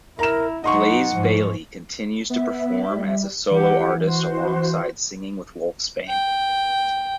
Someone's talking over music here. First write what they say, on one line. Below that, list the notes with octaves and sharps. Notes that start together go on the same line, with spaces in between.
Blaze Bayley continues to perform as a solo artist alongside singing with Wolfsbane.
E4 A#4 A#5 E7
F#3 D#4 D#5 F#5 C6 C#6
G#2 F3
B3 E5
G3
E3 G4 F#5
F#4 C5
G5